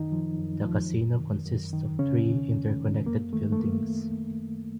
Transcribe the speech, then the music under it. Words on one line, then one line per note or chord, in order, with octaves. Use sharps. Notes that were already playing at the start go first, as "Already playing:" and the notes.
The casino consists of three interconnected buildings.
Already playing: F#2 D#3 D#4
F3
F#2
F3
F#2
D#3
F#2
D#3
F2 C#3 C#4
D#3
F2
D#3
F#2 A#3
D#3 A3
A3
F#2 A#3